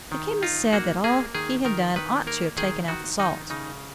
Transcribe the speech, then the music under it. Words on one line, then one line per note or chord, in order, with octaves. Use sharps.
The chemist said that all he had done ought to have taken out the salt.
D#3
D#4 F4
A#3 F#4
A#3 G#4
D#3 G#4
D#3 A#4
D#3 B4
A#3 A#4
D#3 G#4
D#3 F#4
D#3 D#4
C#3 D#4